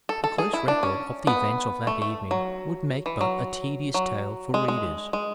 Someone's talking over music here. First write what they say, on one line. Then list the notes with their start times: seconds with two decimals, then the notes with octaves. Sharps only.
A close record of the events of that evening would make but a tedious tale for readers.
0.09 A4
0.24 A4
0.38 G#4
0.53 E4
0.68 D4
0.83 C#4
1.27 B3
1.87 A3
2.02 A3
2.31 F#3
3.06 E3
3.21 F#3
3.94 F#3
4.54 G#3
4.68 G#3
5.13 G#3